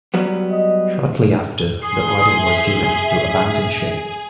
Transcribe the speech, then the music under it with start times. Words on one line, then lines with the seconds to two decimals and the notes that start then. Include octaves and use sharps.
Shortly after, the order was given to abandon ship.
0.14 F#3 G3 B3
0.51 D#5
1.83 G#4 C6 D#6
2.38 E5